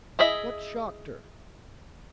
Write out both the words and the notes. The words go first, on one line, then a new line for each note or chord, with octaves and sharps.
"What shocked her?"
E4 G#4 D#5 E5